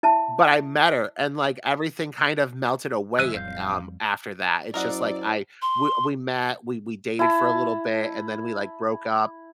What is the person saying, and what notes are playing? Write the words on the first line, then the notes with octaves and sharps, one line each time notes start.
but I met her and, like, everything kind of melted away, um, after that, it's just like I we we met, we we dated for a little bit, and then we, like, broke up
E4 E5 A5
F#1 D#3 F#3 G#3 E5 E6 F#6 D#7
D1 F2 G3 F5 G6
F#2 E4 A#4 C5 D5 D#5 F#5
C6
E4 A5